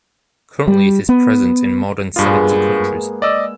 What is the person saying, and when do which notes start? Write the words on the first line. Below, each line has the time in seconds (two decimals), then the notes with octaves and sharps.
Currently it is present in more than seventy countries.
0.68 G3
1.09 B3
2.16 G2 G#3 A#3 B3 F4
3.22 D5 D#5 E6